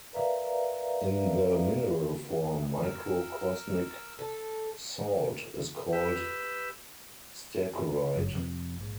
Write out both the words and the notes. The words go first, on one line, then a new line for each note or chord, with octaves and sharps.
In the mineral form, microcosmic salt is called stercorite.
A#4 B4 D5 E5 F5 A#5
A#4 E6
A4
G4 B4 E6
G1 F#2 F#3
F2 C3 C4
A#1 G#2